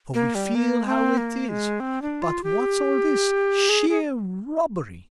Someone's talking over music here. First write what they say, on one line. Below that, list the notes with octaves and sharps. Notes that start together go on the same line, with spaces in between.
For we feel how it is; but what's all this--sheer robbery!
A#3
G3
A#3
C4
A#3
G#3
C4
D4
F4
G4
G#4
G#4